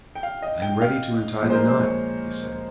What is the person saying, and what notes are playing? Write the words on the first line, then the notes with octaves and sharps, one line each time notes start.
"I am ready to untie the knot," he said.
G5
F5
D#5
G5
F5
A#2 F3 G#3
C5
A#4
C5
C#5